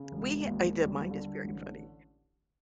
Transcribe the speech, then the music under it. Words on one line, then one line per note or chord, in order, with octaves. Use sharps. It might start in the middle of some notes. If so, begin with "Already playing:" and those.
we h I the mind is very funny.
Already playing: C#3
E1
D#2
G3
D3
A1